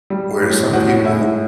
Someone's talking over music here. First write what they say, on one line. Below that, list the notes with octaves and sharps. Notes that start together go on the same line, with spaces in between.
where some people
G3
A2
A2 F#4 F#5
A2 E4 E5